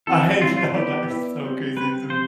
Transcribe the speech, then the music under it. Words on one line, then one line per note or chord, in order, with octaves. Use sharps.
I know, that is so crazy to me.
F3 C4 E4 A4
F3 C4 E4 F4
F4
B3 E4 G4 B4 D5
B3 E4 B4 D5
G3 C4 G4
G3 C4 G4 B4
F3 C4 G4 C5